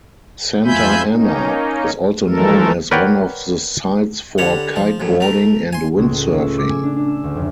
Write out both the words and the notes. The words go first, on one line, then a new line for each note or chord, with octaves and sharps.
Santa Ana is also known as one of the sites for Kiteboarding and Windsurfing.
F2 F4 E5 G#5 B5 G6
A#3 C#4 D#4
E3 F3 G#3 A3 A4 A#4
A#4 B4 C#5 D5 F#5 G5
D3 G3 C#5 F#5
F3
A#1 F#2 A2
A3 A#4
G#5 C6
C#2
A2
C#5
E6
D6
G#5
D4
D4
E6
D2
F1